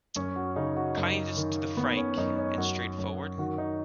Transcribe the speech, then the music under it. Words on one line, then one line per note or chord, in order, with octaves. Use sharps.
Kindest to be frank and straightforward?
F#2 C#4
F#4
C#3 D#4
F#4
F#2 D#4
D#3
D#3 B3
C#4
F#2 D#4
C#4
F#2 F#4
F#2
D#3 F#4
D#4